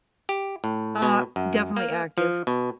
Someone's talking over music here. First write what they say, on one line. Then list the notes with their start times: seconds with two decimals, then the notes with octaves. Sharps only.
Uh, definitely active.
0.29 G4
0.64 A2
1.02 B2
1.36 F#2
1.76 A#3
2.18 F3
2.47 B2